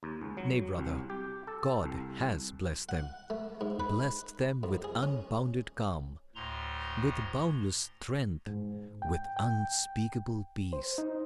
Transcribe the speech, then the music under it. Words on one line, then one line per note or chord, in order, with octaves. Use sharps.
Nay, brother, God has blessed them; blessed them with unbounded calm, with boundless strength, with unspeakable peace.
D#2
C#2
F#3
C2
G4
A4
C2
F#5
A3
G#2
B4
F2
G#4
C#4
D2 A2 A#5 C6
G#2
G5
G5
C5
D#4